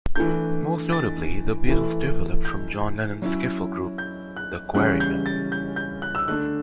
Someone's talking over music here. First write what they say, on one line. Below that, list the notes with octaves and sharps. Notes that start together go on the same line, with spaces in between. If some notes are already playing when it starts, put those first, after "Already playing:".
Most notably, the Beatles developed from John Lennon's skiffle group the Quarrymen.
E3 A3 D4 G6
A6
E3 A3 E4
G6
F#3 C#4 E4
G6
F#6
C#3 E3 G3 C#4 F#6
G6
A6
G6
G6
F#6
E6
D3 A3 D4 F#6